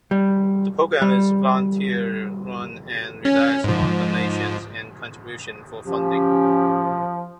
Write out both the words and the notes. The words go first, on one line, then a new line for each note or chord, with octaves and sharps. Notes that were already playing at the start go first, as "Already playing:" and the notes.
The program is volunteer-run and relies on donations and contributions for funding.
G3
G3
C#4
G#2 F3
F3 C#4 G4